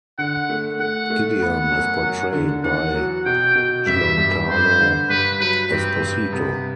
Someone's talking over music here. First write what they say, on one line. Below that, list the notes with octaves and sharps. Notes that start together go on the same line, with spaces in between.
Gideon is portrayed by Giancarlo Esposito.
D3 F#5
A3
A3 F#5
A3
B3 F#5
F#2
F#2
D3
E2 F#5
F#3
B2 G5
B2
G2 E5
G2
G2 C5
D3
G2 B4
F#3 B4
G2 C4
G2
C3 B3